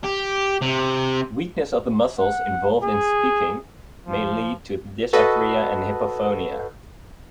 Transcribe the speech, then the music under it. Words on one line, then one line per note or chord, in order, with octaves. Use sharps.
Weakness of the muscles involved in speaking may lead to dysarthria and hypophonia.
G4
C3
F#5
G#4
F3
F#4 A4 B4 D#5